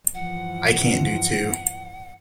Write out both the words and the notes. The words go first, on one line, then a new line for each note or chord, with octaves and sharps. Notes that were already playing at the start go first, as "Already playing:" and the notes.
I can't do two.
G2 E3 F3 F#5